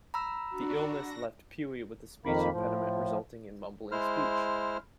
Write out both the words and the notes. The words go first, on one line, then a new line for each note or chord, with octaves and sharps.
The illness left Puey with a speech impediment resulting in mumbling speech.
A#5 B5 E6
D4 F#4
A#6
F2 D#3 A#3 B5
A2 F3
G#3 E4 C5 F6